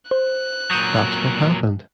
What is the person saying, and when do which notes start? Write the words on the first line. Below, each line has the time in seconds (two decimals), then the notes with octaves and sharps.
That's what happened.
0.11 C5 F#6
0.71 A#2 F#3 D#6 G6 D#7